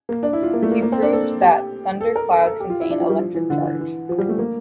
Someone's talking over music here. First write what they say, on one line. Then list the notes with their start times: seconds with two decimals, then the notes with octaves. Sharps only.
He proved that thunder clouds contain electric charge.
0.09 A#3
0.23 D4
0.33 E4
0.43 F4
0.53 A#3
0.63 A3
0.72 A#3
0.82 A#3
0.92 C4
1.02 D4
1.12 A4
1.42 G4
2.01 A4
2.16 A#4
2.31 A4
2.46 A4
2.60 G4
2.70 F4
2.80 E4
2.90 D4
3.00 F3
3.09 G3
3.20 F3
3.35 E3
3.50 D3
3.64 E3
3.80 E3
4.09 F3
4.18 G3
4.29 A3
4.39 A#3